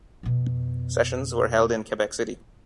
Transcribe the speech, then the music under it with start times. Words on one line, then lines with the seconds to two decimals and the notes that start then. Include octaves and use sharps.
Sessions were held in Quebec City.
0.23 F2 B2